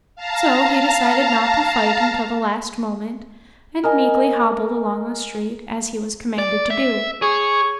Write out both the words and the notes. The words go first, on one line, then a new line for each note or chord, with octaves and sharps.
So he decided not to fight until the last moment, and meekly hobbled along the street, as he was commanded to do.
F5 A5 A#5
A#4 D#5 G#5
D5
E5
G#4 C#5